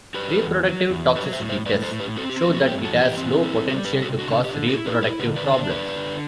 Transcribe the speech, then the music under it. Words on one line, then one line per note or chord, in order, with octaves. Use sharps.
Reproductive toxicity tests show that it has low potential to cause reproductive problems.
F#3 G4 B4
E2
F#3
E2
F#3 G4 B4
C5 E5
A2
C5 E5
A2 B4 D5
A4 C5
A2
G4 B4
C4 F#4 A4
G4
A3 F#4
F#4
G2 G4
F#4 A4
E3
G4
C4
E4
G3 F#4 A4
G4 B4
C3
F#4 A4
D3 F#4
D3 G4
E4 F#4 A4
G4 B4
E4
G4 B4
D3 G4 B4
B4 D5
D4
C5 E5
D3 B4 D5
D3